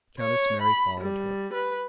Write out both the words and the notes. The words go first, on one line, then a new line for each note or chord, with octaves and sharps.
Countess Mary followed her.
C#5
B5
G3
B4